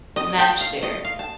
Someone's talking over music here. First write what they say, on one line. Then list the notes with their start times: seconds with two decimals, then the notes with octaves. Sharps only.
match there.
0.16 D#5
0.38 G5
0.61 F5
0.83 D#5
1.05 F5
1.19 A5